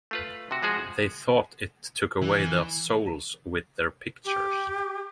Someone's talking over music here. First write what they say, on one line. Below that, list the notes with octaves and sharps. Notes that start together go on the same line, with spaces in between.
They thought it took away their souls with their pictures.
A3 F4 B4
C3 F#4
F3 G#3 F#4 G#4
E3
G4